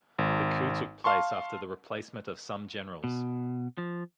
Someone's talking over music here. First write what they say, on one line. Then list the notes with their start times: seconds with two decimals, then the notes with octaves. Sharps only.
The coup took place after the replacement of some generals.
0.18 G#1
1.04 F5 A5 C6 C#6
3.04 B2
3.78 F3